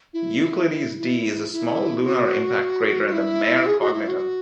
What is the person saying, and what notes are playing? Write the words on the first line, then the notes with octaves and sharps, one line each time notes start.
Euclides D is a small lunar impact crater in the Mare Cognitum.
E4
E4
E4
F#4
E4
G#4
F#4
E4
F#4